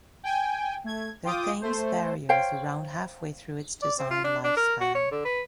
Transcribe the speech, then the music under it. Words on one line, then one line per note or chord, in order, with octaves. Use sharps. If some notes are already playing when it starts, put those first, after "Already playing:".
The Thames Barrier is around halfway through its designed lifespan.
G5 G#5
A3 G#6
F4 G5 D6 D#6
A3 C5
C5 C#5 F5 G5
D5
C4
F4
D4
D4
A#4
F#4
C#5
D3
B4